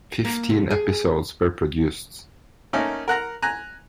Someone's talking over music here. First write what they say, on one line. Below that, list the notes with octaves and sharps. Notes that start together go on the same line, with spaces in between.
Fifteen episodes were produced.
A#3
C3
G#4
A3 A#3 C#4 D#4 A4 A#4
A#4 F#5 A#5
G#5 A#5 F#6